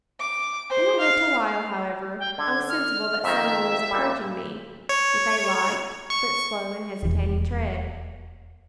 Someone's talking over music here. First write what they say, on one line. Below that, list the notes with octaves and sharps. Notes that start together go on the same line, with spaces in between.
In a little while, however, I was sensible that some one was approaching me, with a light, but slow and hesitating tread.
D6
C5
F5
G5
D3 G#6
F6
F2 D#3 E5
A#2 G3
C#5
C#6
D#1 E2